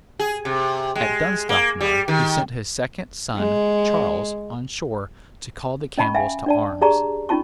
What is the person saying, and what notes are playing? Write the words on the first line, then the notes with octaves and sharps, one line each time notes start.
At Dunstaffnage he sent his second son Charles on Shore to call the Campbells to arms.
G#4
C3
G#3
A#3
G3
D#3
G#3
C#4 D#5 A5 B5 C#6
E5 F5 G5 G#5
D4 D5 A5
G4 G#4 D5 A5 A#5 C#6
C#4 D#4 F4 A5 C#6